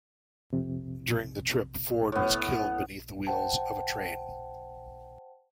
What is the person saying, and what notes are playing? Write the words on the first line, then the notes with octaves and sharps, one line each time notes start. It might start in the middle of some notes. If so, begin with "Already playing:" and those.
During the trip, Ford was killed beneath the wheels of a train.
F2 C3
A2 B3
C5 F#5 G5 A5